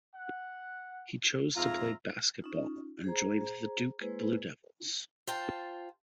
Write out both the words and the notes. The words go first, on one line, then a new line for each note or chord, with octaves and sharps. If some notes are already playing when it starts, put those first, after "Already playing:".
He chose to play basketball and joined the Duke Blue Devils.
F#5
F2 G#2 F4 E5 F5 A#5
C#4 D#4 F4
G#4 C5 A#5
G#3 A#3 E4 G#4 B4 C5
F4 C5 G5 A5